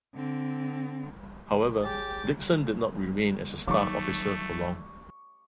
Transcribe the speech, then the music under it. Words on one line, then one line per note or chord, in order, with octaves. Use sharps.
However, Dickson did not remain as a staff officer for long.
D3 C4
G4 G#4 C#5 G5 G#5 A6
D#3 F#3 A3 C#6 D6